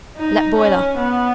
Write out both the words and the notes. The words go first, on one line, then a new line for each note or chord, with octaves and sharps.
Let boil up.
D#4
C#4
B3